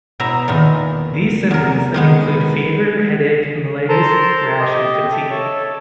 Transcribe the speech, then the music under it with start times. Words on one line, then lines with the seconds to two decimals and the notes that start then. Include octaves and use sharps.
These symptoms include fever, headache, malaise, rash and fatigue.
0.20 B2 B3 E4 E5 A#5
0.48 E2 A#2 D#3
1.51 E2 A#4
1.94 D#3 G#3 B3
3.89 A4 A#4 C5 A5 A#5 C6
4.60 G4 D#5
5.12 A4 E5
5.30 A4 C#5 A5